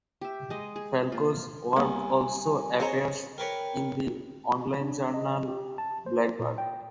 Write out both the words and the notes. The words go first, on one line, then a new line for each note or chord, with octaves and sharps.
Falco's work also appears in the online journal "Blackbird".
G4 E5
G#3 D#5
G#4
A#3 F4
C2 A#3 B3 G#5
C4 G#4 C5 C#5 D#5 A#5
A#4 B4 C#5 G5
D4
D#5
G4
A5
C5
A#2
G5